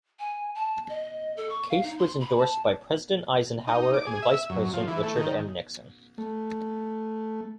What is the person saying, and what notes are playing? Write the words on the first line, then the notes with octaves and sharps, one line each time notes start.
Case was endorsed by President Eisenhower and Vice President Richard M. Nixon.
G#5
A5
D#5
A4
C#6
F5
D#4
C6
B5
A5
D#4
D6
G#4
E5
F#2
F3
E3
A3
D#3
A3